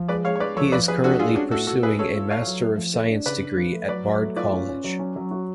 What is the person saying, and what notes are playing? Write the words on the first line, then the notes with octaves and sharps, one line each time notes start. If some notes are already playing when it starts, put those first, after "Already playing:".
He is currently pursuing a master of science degree at Bard College.
Already playing: F3
G#3 B4 D5
G#3 C#5 F5
C#5
G#3 B4 D5
F3 A4 C#5
F3 B4 D5
F3 G#4 B4
D4 F#4 A4
G#3 F4 G#4
C#4 D4 F#4
A2 F#4 A4
A2 F#4 A4
A2 G#4 B4
C#4 A4 C#5
F4
F4 C#5 F5
F#3
A3
F3
A3
D4
C#3 B4 D5
D4
F3
A3
F#3 B4 D5
F#3
A3
F4 B4 D5
C#4
C#4
F#3
C#4
F#3
F#4